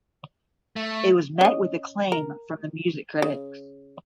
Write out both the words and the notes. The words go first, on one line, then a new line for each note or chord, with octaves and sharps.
It was met with acclaim from music critics.
A3
C#4 D#5
A#4
C#3